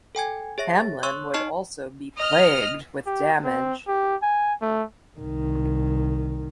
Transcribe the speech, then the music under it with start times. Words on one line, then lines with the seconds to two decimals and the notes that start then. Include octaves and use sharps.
Hamlin would also be plagued with damage.
0.15 A4 G5 G#5 G#6
0.58 G#4 C#5 E5 A#6
0.80 A6
1.03 C#5 C6 C#6 E6 F#6
1.34 D#4 D#5 A5 C#6 F6 C7
2.19 D#5 F6
3.06 G4
3.44 C4
3.88 G4
4.22 G#5
4.62 A3
5.19 C2 D#3